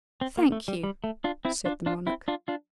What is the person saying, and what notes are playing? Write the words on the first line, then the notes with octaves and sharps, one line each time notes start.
"Thank you," said the monarch.
C4
A#3
A3
G3
G3
A3
D4 F4
C4 E4
D4 F4
D4 F4
C4 E4
D4 F4
D4 F4